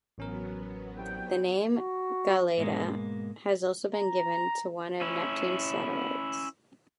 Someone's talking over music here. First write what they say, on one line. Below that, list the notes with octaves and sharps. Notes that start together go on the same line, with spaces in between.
The name Galatea has also been given to one of Neptune's satellites.
A1 F#3 B3 C#4 A#4
C2 G5
F#4
G#2 B2 G#3 A#3
A#5
C#4 E4